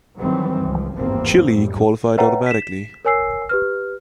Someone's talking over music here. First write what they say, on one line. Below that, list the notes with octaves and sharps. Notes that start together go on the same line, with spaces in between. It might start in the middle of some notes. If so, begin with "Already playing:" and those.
Chile qualified automatically.
G2 D#3 E3 F#3 G3 C4
C#2 F3
G#1 E2 G2 F3 A#3 C4
G#1 F#2 A2 G3
B4 C#5 E5 F#5 G5 A#5
B6 E7
A#4 C#5 G#5 E6 C7
G4 B4 F6